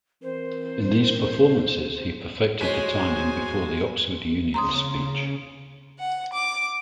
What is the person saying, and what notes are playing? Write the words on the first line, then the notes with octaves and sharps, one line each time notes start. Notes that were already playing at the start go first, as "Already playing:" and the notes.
In these performances he perfected the timing before the Oxford Union speech.
E3 C4 A#4 C5
G#3 F#4 C5 C#5 G#5 B6
C#3 A#5 C6 D#6
F#5
D6